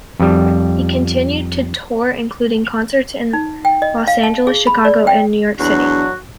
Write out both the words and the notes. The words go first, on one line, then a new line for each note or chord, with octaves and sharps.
He continued to tour including concerts in Los Angeles, Chicago and New York City.
F2 G3
D#4
G5
D#5
F5
A5
G#4
B5
D5
G5
E2 F#3 D4 F#4